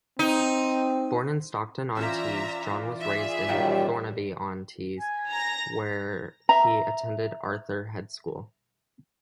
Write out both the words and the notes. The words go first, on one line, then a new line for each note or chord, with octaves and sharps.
Born in Stockton-on-Tees, John was raised in Thornaby-on-Tees where he attended Arthur Head School.
C4 D#4
E3 C#4 F4 C5 D5 E5 A#5
G#4 E5
F#2 A#2 D#3 G3
G#5
A#5 A#6
E5 A#5